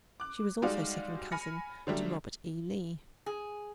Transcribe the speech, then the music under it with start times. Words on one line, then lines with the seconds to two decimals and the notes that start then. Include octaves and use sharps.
She was also second cousin to Robert E. Lee.
0.20 D6 F#6
0.62 G3 G#3 D#4 F#4 D5 F5
1.32 G#5 B5 F6 A#6 C#7
1.87 D3 F#3 G3 A3
3.26 G#4